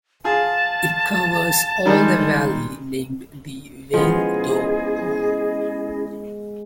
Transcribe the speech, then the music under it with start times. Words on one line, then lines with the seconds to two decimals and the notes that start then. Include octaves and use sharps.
It covers all the valley named the Vale do Paul.
0.24 F4 G#4 A5
1.86 D#3 G3 G#3
3.94 F3 G#3 B3 C#4 E4 G#4 D#5